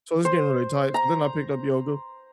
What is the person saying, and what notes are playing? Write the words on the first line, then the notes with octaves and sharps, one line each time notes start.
So, it's getting really tight so, then I picked up yoga
C5
A#5